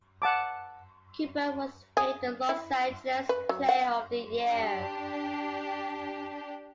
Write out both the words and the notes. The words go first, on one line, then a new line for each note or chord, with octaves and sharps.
Cooper was named the Los Angeles Player of the Year.
F#5 A5 D6
G#4
E4
B4
F#3
F#5
D4 G4